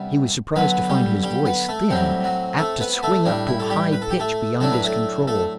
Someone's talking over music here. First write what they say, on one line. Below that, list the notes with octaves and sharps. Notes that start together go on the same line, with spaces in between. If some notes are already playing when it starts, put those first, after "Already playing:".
He was surprised to find his voice thin, apt to swing up to a high pitch beyond his control.
Already playing: C3 G3 B3 D4
D3 F#3 B3 B4
G3 G4
G3 G4
B3 B4
A3 A4
A2 F#3 G3 C4 G4
F#3 F#4
A3 A4
B3 B4
A3 A4
A2 G3 D4
E4
A4
G3 G4
B4
A4
G4
A3 A4
A2 F#3 A3 D4 A4
B4
A3 A4
A3 A4